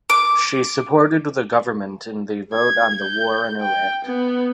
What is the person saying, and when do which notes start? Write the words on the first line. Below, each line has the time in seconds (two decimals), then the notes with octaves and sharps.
She supported the Government in the vote on the war in Iraq.
0.10 D6
2.53 G#6
3.01 G6
3.61 G5
4.05 B3